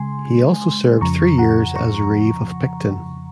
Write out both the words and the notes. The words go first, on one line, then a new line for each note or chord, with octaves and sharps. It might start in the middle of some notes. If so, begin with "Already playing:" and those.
He also served three years as reeve of Picton.
Already playing: C#3 G#3 G#5 C6
F2 C#3 F3 A#5 C#6
F#5 A#5
A#5 C#6